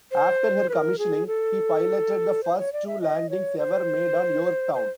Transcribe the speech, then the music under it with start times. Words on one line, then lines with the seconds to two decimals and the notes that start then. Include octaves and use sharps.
After her commissioning, he piloted the first two landings ever made on "Yorktown".
0.12 C5
0.69 B4
0.73 A#4
0.99 G#4
1.27 A4
2.44 C5
2.58 C#5
2.73 D5
2.87 E5
3.01 D#5
3.30 C#5
3.58 C5
4.74 C5